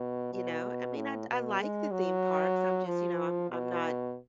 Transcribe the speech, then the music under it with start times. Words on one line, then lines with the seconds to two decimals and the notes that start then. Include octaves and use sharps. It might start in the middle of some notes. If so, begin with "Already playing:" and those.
You know? I mean, I'd I like the theme parks. I'm just, you know I'm I'm not
Already playing: B2
0.33 B2
0.96 A2
1.28 B2
1.60 G#3
1.91 F#3
2.86 F3
3.50 B2